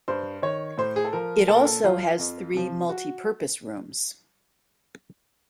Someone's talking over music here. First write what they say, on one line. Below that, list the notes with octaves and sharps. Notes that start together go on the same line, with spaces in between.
It also has three multipurpose rooms.
G2 C5
D#3 C#5
A2 C5
G#4
A4
F3 A#4
A#2 A4
A#4
A4
F3 F4
F2
C3 F3
F#4